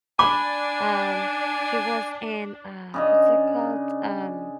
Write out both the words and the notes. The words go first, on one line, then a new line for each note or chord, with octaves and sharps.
um she was in, uh, what's it called? Um
D4 G#5 B5 D6
C#3 D4 D#5